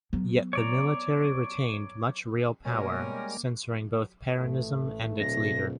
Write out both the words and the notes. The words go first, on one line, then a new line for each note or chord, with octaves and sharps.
Yet the military retained much real power, censoring both Peronism and its leader.
F#3 B3
C#5 D5 A#5
B2 G3 G#3 A#3 C#4 A#4
A1 A3
D1 B2 A#6